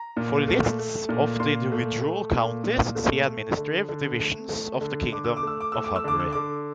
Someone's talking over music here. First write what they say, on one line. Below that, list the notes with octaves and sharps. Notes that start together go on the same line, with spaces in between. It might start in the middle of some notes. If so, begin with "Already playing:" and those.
For lists of the individual counties, see Administrative divisions of the Kingdom of Hungary.
Already playing: A#5
A#2
A3
A3
A#2
A#2 C6
A3
A3
A#2
A#2
A3
A3
D3
D3
A3
A3
D3
D3 D6
E6
D6
A3 E6
D6
A3 E6
D6
E6
D3 D6
E6
D3 D6